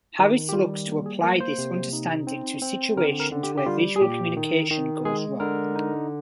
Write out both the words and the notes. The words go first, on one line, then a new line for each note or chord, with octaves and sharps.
Harris looks to apply this understanding to situations where visual communication goes wrong.
D#3 G4
G4
G3 F4
A#3
G#4
A#3 A#4
C5
C3
D#4
C4
C4
D3 A#4
A#4
D3
G4
G4
G3 F4
G#4
A#2 G4
D#3
D#3
G#3 G#4
D3 A#4
D#4